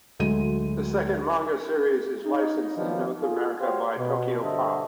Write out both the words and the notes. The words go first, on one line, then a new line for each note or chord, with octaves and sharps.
The second manga series is licensed in North America by Tokyopop.
D2 F#3 G#3 D#7
D#4
D#3 F3 F#3 A#3 B3 D4
F4 G#4 A4
F#4 G4 C5 C#5 F5
B2
G2 D3 C5 D#5 E5 A5